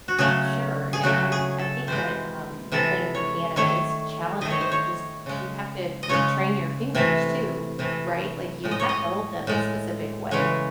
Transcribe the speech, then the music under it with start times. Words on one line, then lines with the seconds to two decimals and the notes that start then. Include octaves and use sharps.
Sure. And I th I think that, um, playing the piano is challenging because you have to, like, train your fingers too, right? Like, you have to hold them a specific way
0.08 F#4
0.18 C#3 F#3 A3 G#4
0.93 G#4
1.03 C#3 F#3 A3 F#4
1.32 G#4
1.59 A4
1.87 C3 E3 G#3 C5
2.72 C3 E3 G#3 A4
3.15 C#5
3.56 D#3 A3 C#5
4.41 D#3 A3 D#5
4.50 C#5
4.61 C5
4.72 C#5
5.26 C#3 G#3
6.03 D#5
6.09 C#3 G#3 C#5
6.95 C3 E3 A3
7.79 C3 E3 A3
8.64 A2 G#3
8.71 D#5
8.80 C#5
8.89 D#5
9.47 A2 G#3
10.31 C#3 E3 G#3 C#5